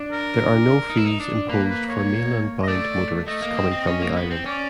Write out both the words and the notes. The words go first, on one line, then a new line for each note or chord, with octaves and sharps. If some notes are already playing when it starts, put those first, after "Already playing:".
There are no fees imposed for mainland-bound motorists coming from the island.
Already playing: D4
A#4
D#4
E4
D#4
D4
A#3 B4
B4
C#5
D#5
A3 D5
A3 D#5
A#3
C4
C4
C#4
A#3
B3
C4
C#4 D5